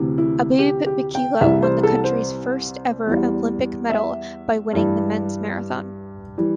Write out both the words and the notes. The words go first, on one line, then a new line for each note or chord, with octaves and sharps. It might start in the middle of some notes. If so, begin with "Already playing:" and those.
Abebe Bikila won the country's first ever Olympic medal by winning the men's marathon.
Already playing: D2 C3 E3
E4
G4
G4
G5
C2 C3 E3 G3 E5
C5
A4
C5
E2 E3 G3
E5
G2 E3 G3
E3 G3